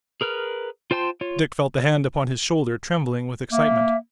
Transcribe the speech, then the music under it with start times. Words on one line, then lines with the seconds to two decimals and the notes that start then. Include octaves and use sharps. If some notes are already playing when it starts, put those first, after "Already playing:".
Dick felt the hand upon his shoulder trembling with excitement.
0.21 G#4 A#4 B4 F6
0.91 F4 C5 G5 A5 C6
1.21 F4 C#5
3.52 A#3 E5